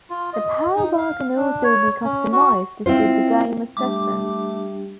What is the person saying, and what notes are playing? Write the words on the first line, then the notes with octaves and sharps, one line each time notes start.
The power bar can also be customised to suit the gamer's preference.
F4
D#5
D#4
F5
D4
C#5
C#4
F#4
C4 E4 F4 C5
G3 A3 D4 G4 D6